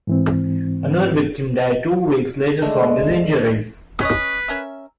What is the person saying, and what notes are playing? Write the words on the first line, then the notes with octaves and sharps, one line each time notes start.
Another victim died two weeks later from his injuries.
G#2 E3 C4
G#3 A3 D4
C#4 B4 C#5 D#5
C#4 A#4 E5